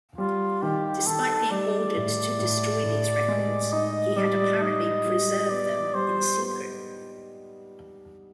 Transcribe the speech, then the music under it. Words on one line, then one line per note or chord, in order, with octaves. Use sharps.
Despite being ordered to destroy these records, he had apparently preserved them in secret.
G3 F4
D#3 G4
D#3 A4
G3 D5
A2
A2
A2
G#3
D#4 D#5
G3 D5
D#4 D#5
G3
B3 D5
G3 C5
B3